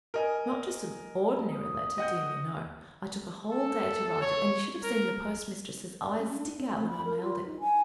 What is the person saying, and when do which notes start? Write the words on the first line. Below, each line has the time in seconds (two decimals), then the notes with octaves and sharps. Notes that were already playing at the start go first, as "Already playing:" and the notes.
Not just an ordinary letter; dear me, no. I took a whole day to write it, and you should have seen the postmistress's eyes stick out when I mailed it.
0.14 A#4 D#5 G#5
1.50 D#6
1.98 D#5 F#5 G6
3.51 A4
4.22 C#5
4.83 A#4
6.01 D5
6.18 C#4
6.34 D4
6.57 C4
6.74 A3
6.89 B5
7.05 A#4
7.21 F4
7.46 D#4
7.60 G#5